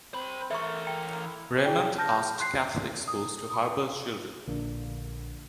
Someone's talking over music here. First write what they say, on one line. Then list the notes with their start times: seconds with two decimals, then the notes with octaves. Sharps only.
Remond asked Catholic schools to harbor children.
0.13 C4 C5 B5
0.51 E3 A4 A#4 E5 C#6
0.87 G5
1.24 E4
1.65 D#4 E4 G#4 D5 G5 G7
1.98 A5 F6 G6 A#6
2.40 C6 F#6 B6 C7
3.08 D#6
3.50 B5 D#6
4.47 A#1 D3 A#3 D4